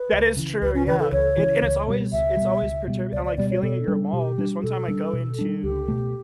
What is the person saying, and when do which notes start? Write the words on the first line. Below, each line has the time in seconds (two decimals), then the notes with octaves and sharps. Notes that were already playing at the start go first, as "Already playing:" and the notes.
That is true, yeah, it and it's always it's always perturbed I'm like, feeling at your mall. This one time I go into
Already playing: B4
0.12 C#2
0.37 C#3 E3
0.62 C#2 B4
0.74 C#4
0.87 C#3 E3 B4
1.00 A4
1.12 C#2 C#5
1.37 C#3 E3
1.62 C#2
1.88 B2 G3
2.12 C#2 E5
2.37 B2 G3
2.62 C#2
2.87 B2 G3
3.13 C#2 D5
3.25 D5
3.38 B2 G3 D5
3.50 C#5
3.63 B2 A4
3.88 G3 D4
4.13 B2 G4
4.38 G3 D4
4.63 B2 A4
4.88 G3 D4
5.13 B2
5.39 G3 D4
5.63 C#2 G4
5.88 B2 A3